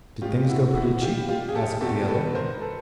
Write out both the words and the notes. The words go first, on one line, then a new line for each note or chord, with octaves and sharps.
'Did things go pretty cheap?' asked the other.
A2 F3 G#3 F4 G4
E4 F#4
E4 F#4
F4 G4
F4 G4
G#4
G4 A4
E2 B2 F#3 G4 A4
A4 B4
B4
A#4 C5
A4 B4